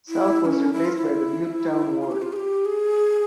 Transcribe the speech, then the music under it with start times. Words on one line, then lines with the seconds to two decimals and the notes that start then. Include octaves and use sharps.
South was replaced by the Butetown ward.
0.08 E4
0.40 E4
0.45 C#4
0.72 E4
0.85 F4
0.96 E4
2.00 F4
2.11 G4
2.22 F4
2.33 G#4
2.36 G4
2.65 G#4